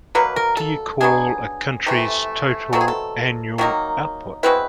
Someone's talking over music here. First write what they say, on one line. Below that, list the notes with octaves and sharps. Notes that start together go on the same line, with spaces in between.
What do you call a country's total annual output?
B2 F#3 A#3 B4
A#4
A4
F#3 B3 D4 G#4
C3 E3 A3
B2 F#3 A3 C4 A4
G#4
A4
D#3 F#3 A#3 D#4
B2 G#3 C4 E4 B4